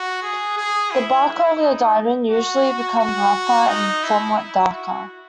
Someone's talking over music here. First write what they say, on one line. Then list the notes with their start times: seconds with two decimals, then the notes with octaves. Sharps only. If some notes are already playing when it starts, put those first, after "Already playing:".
The bark over the diamond usually becomes rougher and somewhat darker.
Already playing: F#4
0.23 G#4
0.57 G#4
0.92 E4
1.27 E4
1.61 D#4
2.30 F#4
2.99 F#4
3.68 D#4
4.03 E4
4.38 E4
4.73 F#4